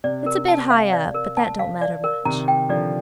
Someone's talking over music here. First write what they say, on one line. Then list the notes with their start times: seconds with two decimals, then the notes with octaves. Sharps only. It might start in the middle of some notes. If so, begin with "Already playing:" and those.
It's a bit high up, but that don't matter much.'
0.04 C3 D5
0.26 A#4
0.48 A5
0.70 F5
0.93 D5
1.14 A#4
1.37 A5
1.59 F5
1.81 D5
2.04 A#4
2.25 C3 D#3 A#5
2.48 G5
2.69 D3 F3 D5